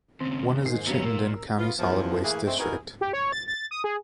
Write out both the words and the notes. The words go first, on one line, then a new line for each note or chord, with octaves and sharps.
One is the Chittenden County Solid Waste District.
D#2 C#3 C4
G#2 D#3 C7
G2 F#3 B3 C#4 A#5 E6
A#2 A#4
B3 F4
E2 F3
E3 A3 A#3 E4 G#4 B4
G#3 A3 C4
D#4 E4 F#4 G#4 A#4 B4
G4
C#5
A6
A6
D#6
G#4